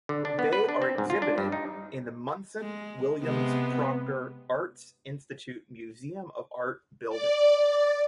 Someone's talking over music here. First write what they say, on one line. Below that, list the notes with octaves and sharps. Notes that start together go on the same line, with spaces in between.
They are exhibited in the Munson-Williams-Proctor Arts Institute Museum of Art Building.
D3
D4
B3
B4
D4
C4
G#2
F4
D4
G2
D#4
G#3
C3 G#3 B3 C4
D5
D5